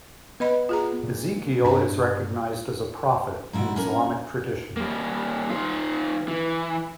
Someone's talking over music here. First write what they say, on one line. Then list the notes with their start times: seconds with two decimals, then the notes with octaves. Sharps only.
Ezekiel is recognized as a prophet in Islamic tradition.
0.40 B3 B4 D#5 B5
0.69 F4 G#4 A#5
1.03 A#2
1.65 G2 D4 A#5
3.53 G#2 B2 E4
3.76 C#4 D4 E4 A#4
4.77 G3 A#3
5.50 D#3 F4
6.28 E3